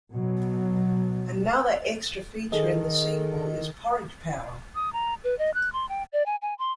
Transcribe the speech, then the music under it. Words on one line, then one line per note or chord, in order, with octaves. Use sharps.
Another extra feature in the 'sequel' is "porridge power".
B2 F#3
D#3 G#4 A4 D#5
D#6
A#5
B4
D#5
F#6
C6
G5
D5
G#5
G#5
C6